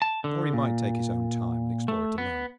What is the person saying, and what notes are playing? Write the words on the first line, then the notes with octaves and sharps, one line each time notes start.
Or he might take his own time, and explore it alone.
A5
D3
A#2
A3
B3